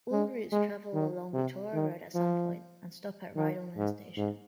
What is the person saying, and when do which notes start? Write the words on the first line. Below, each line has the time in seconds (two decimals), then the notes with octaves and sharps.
All routes travel along Victoria Road at some point and stop at Rydalmere Station.
0.12 G#3
0.52 G#3
0.94 D#3
1.33 C3
1.74 D#3
2.15 F3
3.36 D#3
3.77 G#2
4.17 G#2